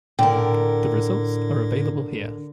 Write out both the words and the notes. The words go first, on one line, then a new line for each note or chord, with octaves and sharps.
The results are available here.
A2 D3 A#4 G5